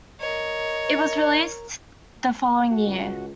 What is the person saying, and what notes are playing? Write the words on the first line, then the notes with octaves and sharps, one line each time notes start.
It was released the following year.
A#4 C#5 D#5
F#4
C#2